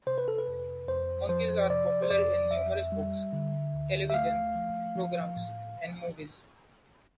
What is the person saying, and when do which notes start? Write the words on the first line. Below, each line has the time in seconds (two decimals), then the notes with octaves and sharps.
Monkeys are popular in numerous books, television programs, and movies.
0.07 C3 C5
0.18 B4
0.28 A4
0.38 B4
0.48 F2
0.88 F2 C5
1.29 F3 C5
1.70 C3 D5
2.02 C5
2.10 F2 D5
2.51 F2 E5
2.92 G3
3.33 D3
3.74 D2
4.10 E5
4.14 A3 F5
4.55 F3
4.95 F3
5.37 A2